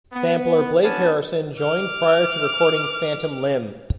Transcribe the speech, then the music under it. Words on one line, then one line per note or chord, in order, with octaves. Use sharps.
Sampler Blake Harrison joined prior to recording "Phantom Limb".
B3
B3 C#4 D4 A5
D6 F6